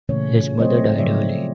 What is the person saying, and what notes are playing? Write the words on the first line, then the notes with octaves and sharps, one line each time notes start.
His mother died early.
A#2 C#3 E3 A3 C#4 C#5
F#3 A3 C4 C5 C#5 D#5
C#3 F3 F#3 C#5 D5 E5